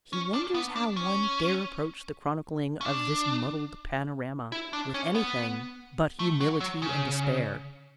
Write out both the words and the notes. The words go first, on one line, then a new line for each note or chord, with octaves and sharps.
He wonders how one dare approach the chronicling of this muddled panorama with anything but humility and despair.
C#4
D4
B3
D4
C#4
C#4
D4
E4
D4
C#4
B3
A3
F#3
F#3
C#3